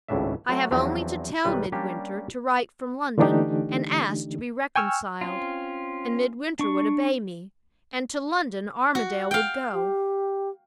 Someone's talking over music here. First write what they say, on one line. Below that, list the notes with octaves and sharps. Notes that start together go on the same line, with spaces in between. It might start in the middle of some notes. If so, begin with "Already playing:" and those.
I have only to tell Midwinter to write from London, and ask to be reconciled; and Midwinter would obey me--and to London Armadale would go.
G#1 C#2 A2 C#3 D4 E5
F#3 A3 F#4
E2 F3 F#3 C4 D4
B1 D#3 G3 B4
G3 A#3 C#4 D4 G4
D3 E3 A3 D4 D#4 G4
G5 G#5 C#6 E6 F6
C4 C#4 F4
D4 C#6
F#4
F5 G5
G4